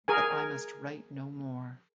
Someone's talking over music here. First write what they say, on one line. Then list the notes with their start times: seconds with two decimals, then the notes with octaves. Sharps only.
But I must write no more.
0.08 G#4 A#4 G#5